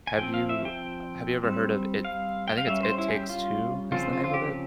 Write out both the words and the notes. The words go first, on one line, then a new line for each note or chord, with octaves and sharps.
Have you uh, have you ever heard of it I think it's It Takes Two, is the name of it?
G#5
F3 C4 G5
F5
E5
G5
G3 C4
F5
G5
F5
G3 C#4 E5
C5
E4
G#4
G4
F4
C#3 F3 C4 F4
F4
F4
G4